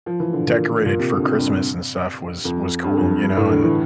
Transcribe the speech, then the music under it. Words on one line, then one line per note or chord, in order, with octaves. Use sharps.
decorated for Christmas and stuff was was cool, you know and,
F3
E3
D3
A#2
A#2
C3
D3
C3
G2
F2
G2
F2
F2
G2
A2
D3
E3